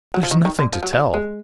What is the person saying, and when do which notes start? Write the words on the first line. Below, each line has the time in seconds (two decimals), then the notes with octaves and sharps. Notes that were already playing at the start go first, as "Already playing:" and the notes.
"There's nothing to tell."
0.14 F#3
0.23 F3
0.31 D#3
0.45 D#3
0.59 D3
0.73 F3
0.83 F#3
0.93 F3
1.14 G#3